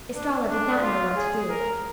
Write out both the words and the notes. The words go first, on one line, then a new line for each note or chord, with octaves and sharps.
Estralla did not know what to do.
D4
D4
F4
G#4
A#4